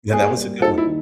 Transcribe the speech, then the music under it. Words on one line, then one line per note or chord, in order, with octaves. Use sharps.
Yeah, that was a good one.
A#3 G#4
G3
D#4 A4
E4
D#3